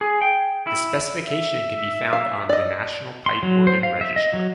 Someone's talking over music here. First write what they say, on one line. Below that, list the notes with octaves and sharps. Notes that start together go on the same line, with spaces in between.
The specification can be found on the National Pipe Organ Register.
G#4
G5
E4
E5
F5
D5 D#5
C6
F#3
C5
F5
E5
D#5
F#3